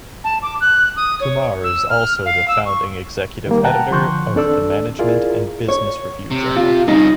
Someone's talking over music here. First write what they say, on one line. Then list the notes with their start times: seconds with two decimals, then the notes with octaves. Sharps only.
Kumar is also the Founding Executive Editor of the Management and Business Review journal.
0.24 A5
0.42 D6
0.60 F#6
0.96 D#6
1.20 C#5
1.63 E6
1.89 F6
2.25 F5
2.48 E6
2.65 C#6
3.47 D#3 G3 A#3
3.65 F#5 G5 A5 A#5 F#6
3.91 D3 F3 C6 C#6 F#6 G6
4.35 D#2 C4 D4 A4 D5 E6
4.99 E4 F4 G#4 A#4 D5
5.68 C#5
6.31 C3
6.56 F4
6.88 G2 C#3 D#4